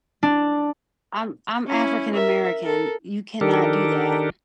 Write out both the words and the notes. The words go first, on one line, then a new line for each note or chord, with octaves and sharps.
I'm I'm African American, you cannot do that.
D4
C#4 E4
A#4 E5
A4 A#4
D#3 D4 G4 A4 A#4